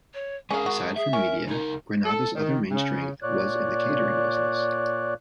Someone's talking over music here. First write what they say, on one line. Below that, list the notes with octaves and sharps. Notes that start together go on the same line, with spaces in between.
Aside from media, Granada's other main strength was in the catering business.
C#5
G#3 C#4 G#4 A#4 F5
F#4
G#4 E5
C#4 A#4
C#2 D#4 A#4
A4
D#3
C#3
A#2 C#5 D5 F#6